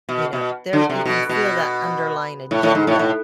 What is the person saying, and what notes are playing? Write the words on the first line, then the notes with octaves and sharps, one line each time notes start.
you know, there you can feel that underlying agenda
B2
B2
D3
C3
B2
B2
A2
A2
G#2
A2
A2